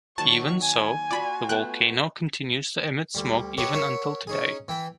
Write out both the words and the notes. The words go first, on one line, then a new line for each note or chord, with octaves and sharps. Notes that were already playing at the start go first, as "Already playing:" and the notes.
Even so, the volcano continues to emit smoke even until today.
D#3 F#3 A#3 A5 C#6
G#5
F4 F#4 D5 B5
A3 B3 G5 F#6
D2 G3
G4 A4 B4 C#5 D#5 F#5
A#4 C#5 E5 F#5
C#4 D#4 G#4
E3 E5 G5